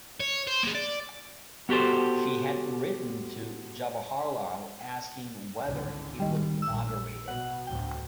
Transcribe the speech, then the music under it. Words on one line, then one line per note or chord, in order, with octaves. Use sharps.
She had written to Jawaharlal asking whether he would inaugurate it.
C#5
C5
A#3 G#4
D5
B3 F#4 G4 A4 C5
G#1 C#2 D3
D#3 G3
A#1 A#2 E6
B2 F#5
D2 A2 F#3 G5